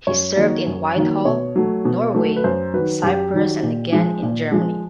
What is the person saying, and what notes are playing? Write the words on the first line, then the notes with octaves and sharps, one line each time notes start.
He served in Whitehall, Norway, Cyprus and again in Germany.
F#2 C#5
D#3 F#3 A#3
F#2
D#3 F#3 A#3
B2 C#5
F#3 A3
B2
F#3 A3
B4
F#2 C5
D#3 F#3 B4
F#2 G4
D#3 F#3
A#2
F3 G#3
A#2
F3 G#3